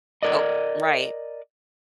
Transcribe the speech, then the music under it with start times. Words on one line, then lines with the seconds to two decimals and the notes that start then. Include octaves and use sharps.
Oh, right.
0.23 A#4 D5 D#5